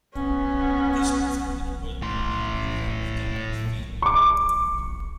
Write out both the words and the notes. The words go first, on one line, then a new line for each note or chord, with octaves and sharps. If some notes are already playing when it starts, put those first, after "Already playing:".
This prevented oil burning and valve guide failure.
B3 C#4
A2 C6
C#6 D6